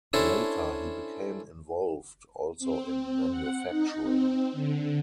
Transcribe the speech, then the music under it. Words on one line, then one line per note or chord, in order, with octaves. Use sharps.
Later he became involved also in manufacturing.
C#4 D4 E4 A4 C5 C#5
C4
F#5
D#4
C4
D3